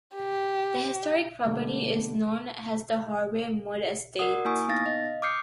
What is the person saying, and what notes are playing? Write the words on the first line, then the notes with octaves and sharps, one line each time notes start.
The historic property is known as the Harvey Mudd Estate.
G4
B2 D3 G3 A3 A#3
F#4 A#4 D5 F#5 D#6
A#3 E4 G#5 C#6 D#6
B3 D#4 F5 A6 A#6
D#5 F5
D6 D#6 F6 G6 C7 C#7